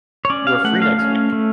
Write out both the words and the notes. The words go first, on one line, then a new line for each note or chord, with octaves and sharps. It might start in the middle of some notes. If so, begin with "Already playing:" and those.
You are free next week.
C#5
C#4 D5
F5
A3 F#5
F5
C#4
A3